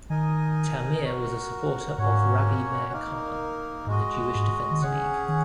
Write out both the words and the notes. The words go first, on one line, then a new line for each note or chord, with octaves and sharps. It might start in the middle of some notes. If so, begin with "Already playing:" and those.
Tamir was a supporter of Rabbi Meir Kahane and the Jewish Defense League.
D#3 D#4 A#4 D#5 G#5
F#4 A#4 F#5
G#2 A#3 C#4 F#4 C#5 F#5
A#3 D#4 A#4
G#2 G#3 F#4 D#5
G#2
D#3
C#3 C#4 G#4 C#5 F#5
D#3